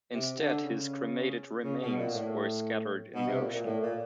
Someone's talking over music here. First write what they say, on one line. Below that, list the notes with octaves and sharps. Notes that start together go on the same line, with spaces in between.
Instead, his cremated remains were scattered in the ocean.
C3
D3
C#3
C#3
B2
A#2
A2
B2
C3
A#2
A#2
A2
A#2